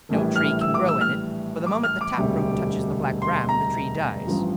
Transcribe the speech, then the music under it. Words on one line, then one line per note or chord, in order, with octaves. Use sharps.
No tree can grow in it, for the moment the taproot touches the Black Ram the tree dies.
A#1 A2 E3 G3
F6
E6
D6
E6
F6
D6
F6
D6
E1 D2 C3 G3
C6
A#5
A1 G2 F3